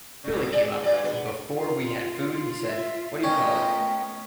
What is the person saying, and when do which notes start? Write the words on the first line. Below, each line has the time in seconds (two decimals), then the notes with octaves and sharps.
Billy came up, and before we had food he said-What do you call it.
0.24 G#2 C#3
0.41 C4
0.52 G#4 D5
0.84 G2 F#3 D5
1.04 B3
1.55 F4
2.67 E5
3.24 A3 B3 C#4 F4 A#4 D#5 G5